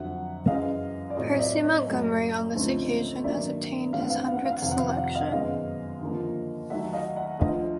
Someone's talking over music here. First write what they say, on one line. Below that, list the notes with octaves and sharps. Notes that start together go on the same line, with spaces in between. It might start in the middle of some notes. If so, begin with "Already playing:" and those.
Percy Montgomery, on this occasion, has obtained his hundredth selection.
Already playing: F2 D3 F#3 E5 F#5
F#2 C#3 E3 G#3 D#5 F5
D5
A2 F#3 A3 C4 C#5 D#5
D#5
D5 E5
C#5 D#5
F#2 C#3 F#3 A3
D2 C#3 F3 A3 C4
G2 D#3 F#3 A#3 D5 E5
G2 E3 A3 C4 F5
F#5
F5
F#5
F5
F#5
F5
F#5
F2 C3 D#3 F5
F#5
F5
F#5
F5
F#5
D#5 F5
F#2 D#3 G#3 B3 D#5 F5
D#2 D3 F3 A#3
D#2 D#3 F#3 A3 E5 F#5
D#5 F5
E5 F#5
D2 D3 F3 A3 D#5 F5